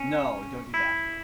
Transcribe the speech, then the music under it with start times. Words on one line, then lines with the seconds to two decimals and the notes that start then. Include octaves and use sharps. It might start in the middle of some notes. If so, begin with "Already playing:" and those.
No, don't do that.
Already playing: C#4
0.74 E4